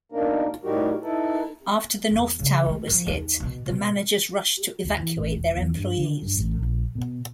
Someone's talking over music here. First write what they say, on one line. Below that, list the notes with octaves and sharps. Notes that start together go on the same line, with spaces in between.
After the North Tower was hit, the managers rushed to evacuate their employees.
B2 A#3 D4 D#4 A#4
A2 G3 D#4 F#4 G4 A#4
D#4 E4 A4 B4
E2
C#3
A3
F3
D#2
B2
B2
D#2
E3
A1
E1
E2
G2
D3
G2
A1
A#1
B2